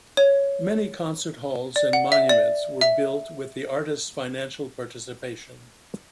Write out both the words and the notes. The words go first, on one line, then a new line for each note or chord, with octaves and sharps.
Many concert halls and monuments were built with the artist's financial participation.
C#5
D5
F#5
E5
D5
E5